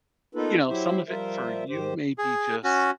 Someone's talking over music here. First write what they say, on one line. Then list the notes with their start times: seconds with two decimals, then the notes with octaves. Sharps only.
you know, some of it for you may be just
0.35 A#3 B3 D#4 F4 A4 B4
0.69 F#3 E4 G4 C5 E5
1.08 F3 G3 F4 A#4 C5 E5
1.69 G#2 D#3 G4 C5
2.18 G#4
2.64 C#4 F#4